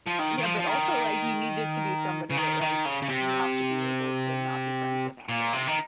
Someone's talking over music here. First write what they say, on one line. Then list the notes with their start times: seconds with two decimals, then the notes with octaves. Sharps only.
Yeah, but also, like, you need it to be somebody that, like, you have to be able to not be friends with afterwards.
0.06 F3
0.19 D#3
0.38 D#3
0.43 F3
0.60 F3
0.67 D#3
2.30 C#3
2.37 D#3
2.61 D#3
2.85 C#3
3.02 C#3
3.09 C3
5.29 A#2
5.53 C3
5.67 D#3